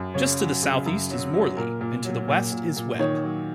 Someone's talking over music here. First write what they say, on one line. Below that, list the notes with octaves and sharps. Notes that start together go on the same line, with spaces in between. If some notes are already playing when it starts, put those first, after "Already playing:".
Just to the southeast is Morley, and to the west is Webb.
Already playing: F#2
C#3 C#5
F#3
C#3
F#2
F#3
F#3
A#2 A#4
A#2
F#3
A#2
A#2
A#2
D#3 C#5
F#3